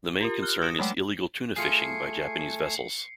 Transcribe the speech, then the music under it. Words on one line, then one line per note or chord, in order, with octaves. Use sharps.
The main concern is illegal tuna fishing by Japanese vessels.
F4 G4 A#4
F6 F#6 G7
D#6 A#6 C#7 D7 E7
F#3 G#3 A3 F#5 G5 D6
A3 F4 G#4 G#5 C7 C#7